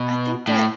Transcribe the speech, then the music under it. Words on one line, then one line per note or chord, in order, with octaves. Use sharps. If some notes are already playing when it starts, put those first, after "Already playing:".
I think that
Already playing: B2
A2